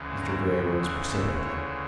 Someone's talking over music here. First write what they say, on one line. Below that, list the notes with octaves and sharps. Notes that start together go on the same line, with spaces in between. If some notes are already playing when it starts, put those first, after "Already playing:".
Mr. Grey rose precipitately.
Already playing: D2 C#3 E3
A#5
G5
F#5
E5
C#5